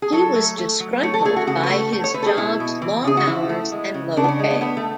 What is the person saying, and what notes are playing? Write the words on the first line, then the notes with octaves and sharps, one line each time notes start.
He was disgruntled by his job's long hours and low pay.
G#4
F#3 A4
A3
A3
F#3
A3 C#5
A4
A3 G#4
F#4
C#3 F#4
B4
A3 A4
A3
C#5
A3 B4
A4
G#4
B2 E4
B2
E3
C#3 G#4
F#4
E3 E4
A3
G#3
C#3
C#3 D4
B3
C#4
G#3
B3
A3 B3
A3